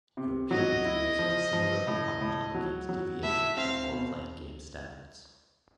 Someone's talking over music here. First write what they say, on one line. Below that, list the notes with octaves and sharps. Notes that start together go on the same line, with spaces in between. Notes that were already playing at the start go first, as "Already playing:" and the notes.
European reviewers would similarly comment on the game's deviation from role-playing game standards.
C3
F#3 D#5
E4
F3
F3
A2
A2
F#3
F#3
A2 E5
C4 F5
B2